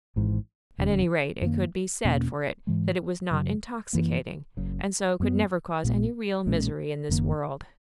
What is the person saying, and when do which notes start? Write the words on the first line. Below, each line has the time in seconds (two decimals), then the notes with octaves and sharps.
At any rate, it could be said for it that it was not intoxicating, and so could never cause any real misery in this world.
0.16 G#1 G#2 E3
0.78 E1 D#2 C#3
1.42 F#2 D#3 A#3
2.04 E2 B2 A#3 C#4
2.67 G#2 E3 G#3
3.31 F#2 C#3 F#3
3.93 F#2 E3 A#3
4.57 F#1 F#2 C#3
5.20 F#2 E3 B3
5.83 A#1 A#2 G#3 B3
6.46 B1 A#2 G#3 C#4
7.09 F#1 F#2 D#3 A#3